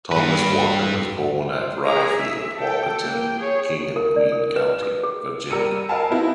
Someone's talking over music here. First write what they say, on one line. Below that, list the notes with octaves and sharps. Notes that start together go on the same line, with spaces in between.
Thomas Walker was born at "Rye Field", Walkerton, King and Queen County, Virginia.
G2 B4
C5
G#4 A#5
E5
A4 G5
A#3 G5
G#4 C#5
A#4
D5
A#4
B4
E6
G#4
G3 A#4 E6 C#7 D#7
A#4 D#5 F5 G#5 A5 B5
B3 C4 D#4 E4